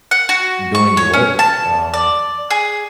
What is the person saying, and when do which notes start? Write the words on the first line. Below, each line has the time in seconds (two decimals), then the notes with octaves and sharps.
doing your work, um,
0.11 F#5
0.29 F#4
0.75 C#6
0.97 C#5
1.13 C#4
1.39 A5
1.94 D5
2.51 G#4